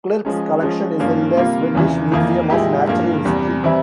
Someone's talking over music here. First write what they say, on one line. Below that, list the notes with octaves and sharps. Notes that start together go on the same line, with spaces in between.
Clerck's collection is in the Swedish Museum of Natural History.
F3 G#3 C#4
F3 G#3 C#4
G2 F3 A#3 C#4
C3 G3 A#3 F4
E2 C#3 E3
F2 E3 A#3
A#2 G#3 E4 G4
G2 F3 A#3
E2 C3 G3
E3 G3 C4 E4